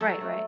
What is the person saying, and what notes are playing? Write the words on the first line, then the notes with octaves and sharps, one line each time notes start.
Right, right.
F#3 A4
A3